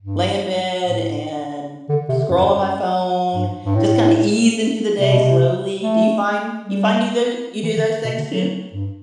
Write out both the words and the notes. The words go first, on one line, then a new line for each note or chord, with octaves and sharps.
lay in bed and scroll on my phone, just kind of ease into the day slowly. Do you find you find you tho you do those things too?
G2
A2
D3
C3
D3
F#2
F#2
F#2
G2
G2
A2
C3
B2
C3
A3
G3
E3
D3
B2
D3
F#3
G2